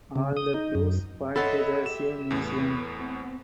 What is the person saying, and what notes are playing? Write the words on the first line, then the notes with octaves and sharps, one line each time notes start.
All the clues point to the same museum.
C#3
D#6
D#4
F#2
A4 C#5 D#5 E5 F#5 A5 B5 C6
G4 E5 E7
E2 A2 B4
B3 C4